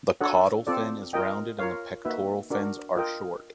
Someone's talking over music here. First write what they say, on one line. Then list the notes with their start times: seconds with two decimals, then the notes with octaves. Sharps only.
The caudal fin is rounded and the pectoral fins are short.
0.21 D4 F#4 A4 C#5 F#5
0.67 C4 F4 A4 D5
1.13 F4 A#4 D#5 G5
1.59 F4 A#4 C#5 F5
2.05 A#3 D#4 F#4 B4 E5
2.50 D4 F#4 A#4 D5
2.97 F4 A#4 D#5 G5